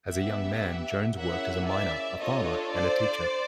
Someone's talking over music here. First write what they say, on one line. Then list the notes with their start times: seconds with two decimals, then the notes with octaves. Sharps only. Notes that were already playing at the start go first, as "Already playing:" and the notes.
As a young man, Jones worked as a miner, a farmer, and a teacher.
0.10 B3 D4 G4 E5 F#5
1.15 A#3 C#4 E4 G#4 E5 F#5
1.67 D5 E5
2.19 D4 F4 A4 C#5 D#5
2.72 C5 D5